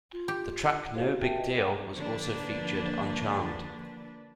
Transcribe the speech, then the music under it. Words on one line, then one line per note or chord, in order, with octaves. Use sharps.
The track "No Big Deal" was also featured on Charmed.
F4
G4
E4 F#4 G#4 C5 C#5 F5
F#4 G4 A#4 E5 G5 A5
F4 B4 D#5
A4 C#5 F#5 G5 D6
D3 F3 A#3 D4 B4